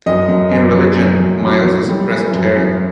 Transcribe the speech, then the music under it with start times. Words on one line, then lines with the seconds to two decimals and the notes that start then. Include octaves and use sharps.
In religion, Myles was a Presbyterian.
0.06 F#2 D#5
0.29 F#2
0.51 F#2
0.74 F#3
0.97 F#2
1.20 F#2
1.43 F#3
1.65 F#3
1.88 G3
2.11 E3
2.33 F#2
2.56 F#2